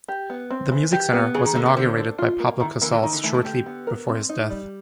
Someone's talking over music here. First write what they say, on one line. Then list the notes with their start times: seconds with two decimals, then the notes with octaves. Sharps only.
The music center was inaugurated by Pablo Casals shortly before his death.
0.08 G4
0.30 B3
0.51 C4
0.72 E3
0.92 G4
1.13 B3
1.34 C#3 G#4
1.45 D#3
1.55 D3 A#3
1.66 C#3
1.77 D3 C5
1.97 D4
2.18 F4
2.40 A#3
2.60 D#3 E4
2.82 D3 E3 A#3
2.92 D3 E3
3.03 D#3 D#4
3.13 D3 E3
3.23 D3 E3 A3
3.34 D3 E3
3.45 D3 G4
3.66 B3
3.87 A#4
4.08 C4
4.29 D#4
4.50 G3